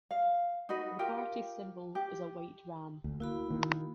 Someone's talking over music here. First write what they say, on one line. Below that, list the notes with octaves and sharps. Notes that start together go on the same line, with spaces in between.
The party's symbol is a white ram.
F5
D#4 F#4 B4 D#5
F4 G4 A#4 G5
G4
D2
A#3 E4 F#4 B5
D#3 A#3